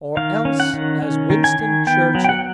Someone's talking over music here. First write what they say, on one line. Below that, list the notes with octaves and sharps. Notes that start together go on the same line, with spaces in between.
Or else as Winston Churchill.
D#3 F5
C#4
F#5
D#3
C#4
D#3
G#5
D#3
B3 G5
F#3
G5
F#5